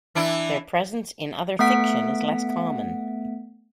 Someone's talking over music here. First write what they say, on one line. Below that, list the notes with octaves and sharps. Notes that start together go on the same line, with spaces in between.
Their presence in other fiction is less common.
E3 D4 E4
A3 B3 E5 F#5 B6 D7